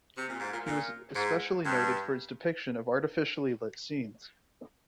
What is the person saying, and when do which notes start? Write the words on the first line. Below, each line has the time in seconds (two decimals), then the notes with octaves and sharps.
He was especially noted for his depiction of artificially lit scenes.
0.16 C3
0.28 A#2
0.39 G#2
0.52 A#2
0.66 A#2
1.15 G#2
1.65 G2